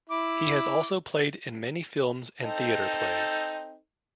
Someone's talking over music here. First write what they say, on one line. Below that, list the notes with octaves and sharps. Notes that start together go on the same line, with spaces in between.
He has also played in many films and theater plays.
E4 D6
C4 D#4 A4